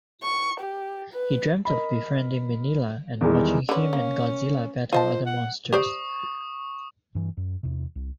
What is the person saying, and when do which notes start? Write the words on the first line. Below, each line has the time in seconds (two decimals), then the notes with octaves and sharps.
He dreamt of befriending Minilla and watching him and Godzilla battle other monsters.
0.22 C#6
0.60 G4
1.13 B4
1.65 A#4 D#5 B5
3.21 E2 D#3 E3 G3 G#3
3.69 D3 C#4 B4
3.93 A#3
4.93 F4 C5 D#5 A5
5.26 F#5
5.73 G4 C5 D5 C#6 D#6
7.15 G2 E3
7.37 F#2
7.63 E2 C3
7.95 C2